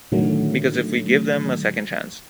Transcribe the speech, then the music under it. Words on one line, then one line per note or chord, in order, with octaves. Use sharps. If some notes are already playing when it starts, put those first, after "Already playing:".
Because if we give them a second chance.
A2 D3 D#3 F#3 A3